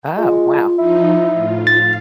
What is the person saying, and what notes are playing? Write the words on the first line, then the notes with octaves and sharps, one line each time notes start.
Oh, wow.
G#3 F4
F3 D#4 E4
A2 F4
F5 A6